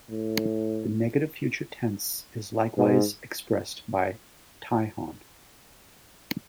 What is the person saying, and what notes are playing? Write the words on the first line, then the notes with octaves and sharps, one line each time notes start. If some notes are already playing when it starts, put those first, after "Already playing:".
The negative future tense is likewise expressed by "tihon".
A2
G#2